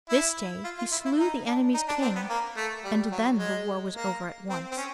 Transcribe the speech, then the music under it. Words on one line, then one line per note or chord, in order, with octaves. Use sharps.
This day he slew the enemy's king, and then the war was over at once.
E4
F4
F4
E4
E4
D#4
D4
D#4
D4
C4
B3
A#3
A3
G3
F#3
G#3
A#3
C4
C4
C#4